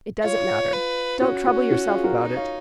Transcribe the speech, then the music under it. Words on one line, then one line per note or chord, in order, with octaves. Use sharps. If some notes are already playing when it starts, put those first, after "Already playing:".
It doesn't matter; don't trouble yourself about it.
F4 C#5
B4
C#4 F#4
F#4
F#4
F4 G#4
F#4 A#4
D#4
C#5 F5